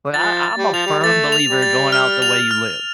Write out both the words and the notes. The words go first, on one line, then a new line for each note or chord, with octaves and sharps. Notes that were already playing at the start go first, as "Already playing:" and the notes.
but I I'm a firm believer going out the way you live,
F3 A6
A6
G3
F3 F7
G3
G3
A3 A6
F7
G3
A6
F6
F7
F6